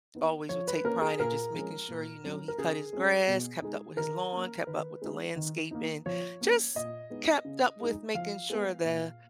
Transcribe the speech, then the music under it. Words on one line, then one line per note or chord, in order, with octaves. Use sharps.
always would take pride in just making sure, you know, he cut his grass, kept up with his lawn, kept up with the landscaping, just kept up with making sure the
B3 D#4
F3 C#5
B4
A#3 C#4 A#4
G#4
A#2 A#4
F3 G#3 C#4
A#2
F#3 C#4
A#4
C#3 G#4
G#3 C#4
B2
G#3 D#4
D#3 A#4
A#3 C#4
D#3 B4
G#3 D#4
D#3
A#3 D#4
F3 C#5
A#3 C#4
A#2 D#5
G#3 B3 D#4
C#3
G#3 D#4
F3 F5
G#3 B3
A#2